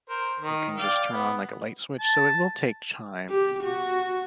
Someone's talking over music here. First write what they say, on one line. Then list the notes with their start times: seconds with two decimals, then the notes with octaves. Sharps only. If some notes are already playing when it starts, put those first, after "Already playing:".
you can just turn on like a light switch, so it will take chime.
0.10 A#4 C5
0.39 D#3
0.78 D5 F5 G5
1.13 B3
2.00 A5
3.29 G4
3.63 F#4